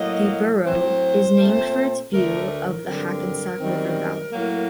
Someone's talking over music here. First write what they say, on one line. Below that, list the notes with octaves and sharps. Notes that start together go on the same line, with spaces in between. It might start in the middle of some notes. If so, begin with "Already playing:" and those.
The borough is named for its view of the Hackensack River valley.
Already playing: A2 F#3 A#3 D#5
A2 F#3 C4 C5
A#2 A3 C4
D2 D3 A3 A#4
A#4
G2 D3 F#3 C4 A#4
F#2 D#3 G3 C4
A2 F#3 A#3